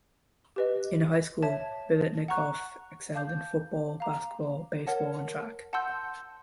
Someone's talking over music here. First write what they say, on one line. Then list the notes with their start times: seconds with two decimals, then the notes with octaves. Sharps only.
In high school, Biletnikoff excelled in football, basketball, baseball, and track.
0.56 G4 B4 D#5
1.43 C#5 E5 A5
2.28 F#5 A#5 C#6 F#6
3.15 F5 A5 D6 G6
4.00 F5 A#5 D6
4.87 A#4 C#5 F#5 A5
5.73 F#5 A5 C6 E6 G6